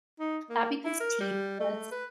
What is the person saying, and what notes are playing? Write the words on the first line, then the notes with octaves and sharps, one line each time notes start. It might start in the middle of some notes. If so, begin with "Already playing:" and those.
that becomes tedious.
D#4
A#3
E4
A#4
G3
A3
B4